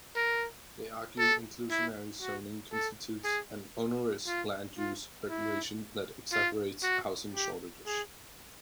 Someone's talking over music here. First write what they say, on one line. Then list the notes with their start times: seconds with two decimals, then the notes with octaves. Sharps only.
They argue inclusionary zoning constitutes an onerous land use regulation that exacerbates housing shortages.
0.16 A#4
1.19 A4
1.70 E4
2.21 F#4
2.72 A4
3.24 G#4
4.27 F4
4.78 F4
5.29 E4
6.32 F4
6.83 F#4
7.34 G4
7.86 G#4